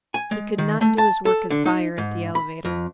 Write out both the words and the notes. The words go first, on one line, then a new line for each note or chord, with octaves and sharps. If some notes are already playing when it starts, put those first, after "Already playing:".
He could not do his work as buyer at the elevator.
G#5
G#3
D#3
A3
A5
A4
D3
D#4
G#2
B5
F2